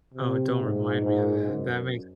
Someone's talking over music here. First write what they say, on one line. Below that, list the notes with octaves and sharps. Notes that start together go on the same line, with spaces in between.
Oh, don't remind me of that, that makes
C3
G#2
G#2
F#2